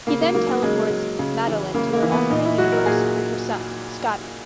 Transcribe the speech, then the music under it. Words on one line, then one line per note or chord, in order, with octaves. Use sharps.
He then teleports Maydelyne to her alternate universe with her son, Scotty.
C#3 A#3
A#3
F#3 A#3
A#3
C#3 G#3
F#3
C#3
E3
C#3 A#3
A#3
E3
B3
A#2 D#4
E4
F#3 F#4
A#4
A#2 G#4